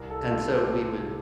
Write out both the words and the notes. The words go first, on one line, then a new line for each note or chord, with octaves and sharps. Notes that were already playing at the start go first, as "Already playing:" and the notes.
And so we would
Already playing: C2 A#4
A4
C2
F4
C3
C3